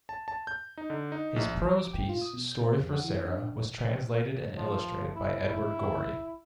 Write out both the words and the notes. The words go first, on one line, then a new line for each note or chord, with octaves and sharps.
His prose piece "Story for Sara" was translated and illustrated by Edward Gorey.
A5
A5
G6
D#4
D3
D#4
A#1
D6
G5
F4
D#6
B2
G6
C5
F2
F#5
E3
D4
D4
F3
E4
E4